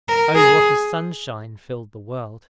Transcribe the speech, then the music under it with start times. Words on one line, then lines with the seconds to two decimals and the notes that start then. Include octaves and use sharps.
Oh! what a sunshine filled the world!
0.08 A#4
0.36 G#4